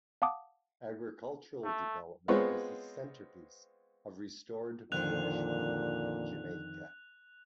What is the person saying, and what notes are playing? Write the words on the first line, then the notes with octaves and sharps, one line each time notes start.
Agricultural development was the centrepiece of restored British rule in Jamaica.
F5 F#5 A5 D6 D#6
A3
G#3 B3 C4 F4 B4 C#5
F2 A#2 D3 D#3 C5 F#6 F7